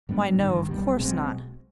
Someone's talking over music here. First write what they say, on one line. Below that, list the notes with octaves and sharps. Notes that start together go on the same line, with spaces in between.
'Why no, of course not.'
G#2 G3 B3 D4
G#1 G2 D#3
B1 B2 G3
B1 B2 G#3 C4